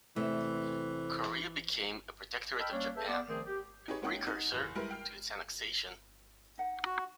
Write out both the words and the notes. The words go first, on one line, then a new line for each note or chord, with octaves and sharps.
Korea became a protectorate of Japan, a precursor to its annexation.
E2 C3 E3 A3
D#5 G5 A5 B5 E6 F6
G3 A#3 C#4 D4 C#5
G#4 A4 B4 E5 G5 A5
B3 D5
D#3 F3 A3 C4 G#4 A#4
G4
D#4 G4 G#4 B4 C#5
G#3 A#3 C#4 D#4 F#5 G5
D#4 F#4
F#1 E2 G6
G3 G#3 E4 G4 A#4 B4
G5 F6 C7
D#4 F#5
F#4